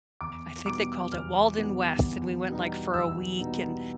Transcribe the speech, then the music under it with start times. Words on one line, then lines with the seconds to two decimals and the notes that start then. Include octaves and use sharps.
I think they called it Walden West, and we went, like, for a week and,
0.21 E2 D6
0.66 B2 G3 B3 D#4 D6
1.12 E2 F6
1.57 B2 G3 B3 D#4
2.03 E2
2.49 B2 G3 B3 D#4
2.94 E2 E6
3.39 B2 G3 B3 D#4